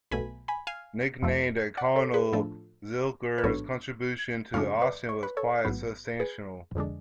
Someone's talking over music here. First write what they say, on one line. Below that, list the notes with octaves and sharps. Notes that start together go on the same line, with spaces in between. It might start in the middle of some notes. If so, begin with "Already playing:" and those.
Nicknamed "the Colonel", Zilker's contribution to Austin was quite substantial.
B1 B2 A3 G#5 B5
G#5 B5
F5 G#5
F2 F3 A3
D5 F#5
A4 C#5
G#4 B4
A2 F3 A3 D4 A4
B4
A1 G#2 F#3 B3 D4 A4 C#5
F#2 C#3 G#3 D4 C#5 F5
B4 D5
C#5
B4
A4 C#5
A1 G#2 F#3 B3
G#4 B4
F2 D3 G#3 D4